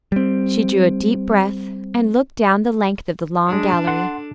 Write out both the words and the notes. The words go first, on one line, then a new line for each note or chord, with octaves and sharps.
She drew a deep breath and looked down the length of the long gallery.
G3 C4
G#3 D4 C#5
A4 F#5 C6